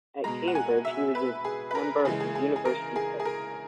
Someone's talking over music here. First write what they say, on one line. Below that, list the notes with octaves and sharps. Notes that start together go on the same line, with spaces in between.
At Cambridge, he was a member of the University Pitt Club.
B2 G#3 A#5
F#5
G#5
E5
B4
G#4
B4
A#4
C#3 E3 G#3 G#4
G#4
G#4
G#4
A#4
G#4
G#4
A#4